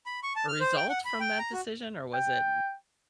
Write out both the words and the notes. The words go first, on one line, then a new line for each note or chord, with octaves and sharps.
result from that decision or was it
B5
C#6
A5
F6
C5
G5
F#5
B5
G5
A#5
F#4
G5